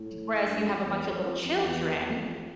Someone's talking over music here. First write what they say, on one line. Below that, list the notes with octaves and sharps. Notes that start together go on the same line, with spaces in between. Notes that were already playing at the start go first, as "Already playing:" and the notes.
whereas you have a bunch of little children
Already playing: A2
G2
F2
E2
F2
F2
F2
E2
E2
F2